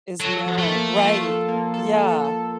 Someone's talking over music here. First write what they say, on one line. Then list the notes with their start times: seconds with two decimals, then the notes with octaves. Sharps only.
Is no Right. Yeah.
0.20 F#3 A4
0.46 F3
0.58 A3
0.71 A#3
0.97 F4
1.22 A4
1.48 A#3
1.74 A4
1.98 A4
2.24 A4